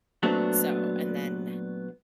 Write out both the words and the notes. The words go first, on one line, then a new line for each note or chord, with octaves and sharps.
So and then,
A#2 F#3 A3 B3 C4 D4